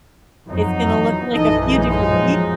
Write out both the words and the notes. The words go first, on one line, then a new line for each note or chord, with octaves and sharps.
It's gonna look like a few different peop
F2 F#3 D#4
F2 E3
A#1 F#2 E3 D#4 A4 D#5
F#3 G#3 D#4
F2 A#2 F3